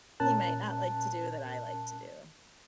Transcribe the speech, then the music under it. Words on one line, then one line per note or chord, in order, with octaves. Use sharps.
he might not like to do, that I like to do.
A#2 C#4 A#4 A5 F#6